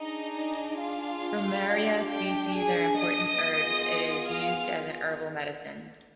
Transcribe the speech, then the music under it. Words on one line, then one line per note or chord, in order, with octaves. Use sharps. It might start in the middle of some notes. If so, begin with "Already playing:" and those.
Fumaria species are important herbs, it is used as a herbal medicine.
Already playing: D4 D#4 G#4 D#5
F4 F5
D4 G4
G4 G5
G#4 G#5
D#5 D#6
B3 F4 G#4
F5 F6